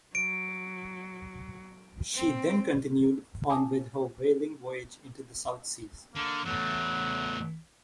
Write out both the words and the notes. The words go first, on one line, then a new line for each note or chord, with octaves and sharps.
She then continued on with her whaling voyage into the South Seas.
F#3 D7
C4 G5
G#5 A5 D6 D#6
D3 A#3
E2 F#3 A3